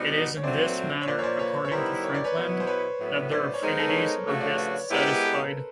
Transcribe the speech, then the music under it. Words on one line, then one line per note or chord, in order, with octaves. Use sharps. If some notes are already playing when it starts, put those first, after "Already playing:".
It is in this manner, according to Frankland, that their affinities are best satisfied.
Already playing: B2 G3 B3 D#4 C5 D5
C#5
A#2 F#3 A3 C4 C5 D5
C#5
A#2 F3 A#3 C5 D5
C#5
C5 D5
B4 C#5
C#5
D#3 G3 B3 E4 A#4 C5
C#5
D5
B4 C#5
B2 F#3 B3 E4
C5
B4 C#5
A2 F#3 B3
C5 D5
C#5
G#3 B3 D#4 A#4 C5
A4 B4
C#5
A#4 C5
C#3 F3 A3 D4 F#4 C#5
D5
B4 C#5
G#3 B3 E4 G4 A#4 C5
A4 B4